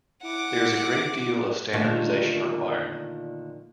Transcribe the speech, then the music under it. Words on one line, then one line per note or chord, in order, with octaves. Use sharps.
There is a great deal of standardization required.
E4 F#5 D6
A#2 D3 D#3 F3 A3 F4